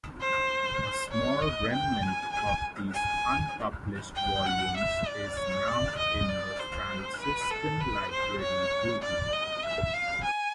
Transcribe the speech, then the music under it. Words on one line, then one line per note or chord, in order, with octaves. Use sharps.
A small remnant of these unpublished volumes is now in the Franciscan Library, Dublin.
C5
C#5
D#5
G5
G#5
G#5
G#5
G5
F#5
E5
D5
C#5
D5
D#5
D5
C5
B4
A4
B4
C5
C#5
D5
D#5
E5
F5
G#5